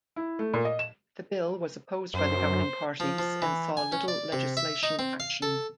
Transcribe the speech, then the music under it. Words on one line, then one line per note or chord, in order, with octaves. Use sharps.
The bill was opposed by the governing parties and saw little legislation action.
E4
A3
A#2
D#5
E7
F#2 C5
F3
F3
E3
G#5
C#4
D5
C3
E5
D#4
C4
F5
A4